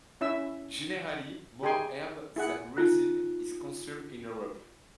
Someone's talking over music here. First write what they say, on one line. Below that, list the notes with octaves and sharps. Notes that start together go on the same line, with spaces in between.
Generally, more herb than resin is consumed in Europe.
C#4 E4 E5 E6
G4 G#4 G5 G#5 C6
E4 G#4 F#5
D#4 F4 F#6